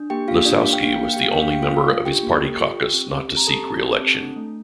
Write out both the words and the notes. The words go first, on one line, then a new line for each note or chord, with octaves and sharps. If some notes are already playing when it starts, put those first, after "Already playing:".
Lisowsky was the only member of his party caucus not to seek re-election.
Already playing: D4
A#3 G4 G5
A#3 F4 F5
D4 G4 D5
D4 F5
G5
A#3 F5
G5
A#3 F5
G4 G5
F5
D4 G5
F5
A#3 G5
F4 F5
A4
F4
D4 G4 G5
A#3
A4
F4
G4
C4
G4
C4
A#5
G4 A4 A5
C4
G4
C4
D4
A3